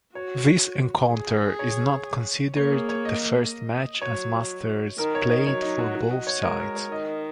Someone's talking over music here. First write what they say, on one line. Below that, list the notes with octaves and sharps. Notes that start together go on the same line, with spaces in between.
This encounter is not considered the first match as Masters played for both sides.
F#4 C#5
G#4
C#5
A#3 C#5
G#4
C#5
D#5
F#3 C#5
D#3 A#4
C#5
D#5
F#3 C#5
D#4
F#4
F#4
D#5
C#5
G#3 A#4
A#4
C#5
D#3 D#5